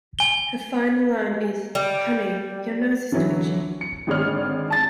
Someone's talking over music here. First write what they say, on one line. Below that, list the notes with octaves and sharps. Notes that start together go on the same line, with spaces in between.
Her final line is "Honey, your nose is twitching".
G#5 G7
G3
D3 E3 F#3
C#7
G#1 D3 G#3 C#5 D5 F6
A5 A6